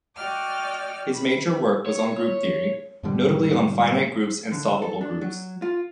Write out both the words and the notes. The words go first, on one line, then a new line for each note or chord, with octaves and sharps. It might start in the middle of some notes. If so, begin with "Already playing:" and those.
His major work was on group theory, notably on finite groups and solvable groups.
F#4 D5 D#5 G5 D6 F6
B5
C#5
G#2 B2 D3 G3
D3
A4
D4
F#3
F4